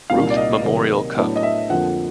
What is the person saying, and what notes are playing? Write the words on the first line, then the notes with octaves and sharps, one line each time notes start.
Ruth Memorial Cup.
C2 A#2 G3 A#3 D#4 F5
D5
D#5
C3 D#3 F#3 A#3
A2 F#3 B3 D4
D#5
E5
F2 D3 F3 A#3 F#5